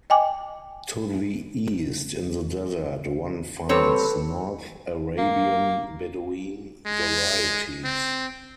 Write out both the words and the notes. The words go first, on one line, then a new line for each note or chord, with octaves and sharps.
To the East, in the desert, one finds North Arabian Bedouin varieties.
D#5 G5 G#5 D6
G3 C4 A4 B4 C#5
A#3
G#3
C4